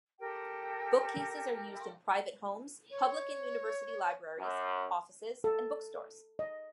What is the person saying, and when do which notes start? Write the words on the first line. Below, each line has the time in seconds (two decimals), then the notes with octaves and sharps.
Bookcases are used in private homes, public and university libraries, offices and bookstores.
0.20 G4 A4 A#4 G5
2.91 C#5
4.38 F#2
5.44 A4
6.39 D#5